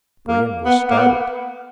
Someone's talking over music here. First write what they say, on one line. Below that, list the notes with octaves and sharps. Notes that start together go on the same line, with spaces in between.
Brion was startled.
A#3
B3
A#3
B3